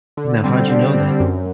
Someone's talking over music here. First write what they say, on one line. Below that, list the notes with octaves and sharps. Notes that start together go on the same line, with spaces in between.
Now how'd you know that?
D3
G3 C4
D3
G3 C4
F#2